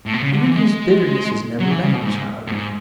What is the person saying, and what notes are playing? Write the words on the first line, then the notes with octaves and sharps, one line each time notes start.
Even his bitterness is never venomous, however.
A2
B2
C#3
D3
E3
G#3
F#3
E3
C#3
B2
A2
G#2
A2
G#2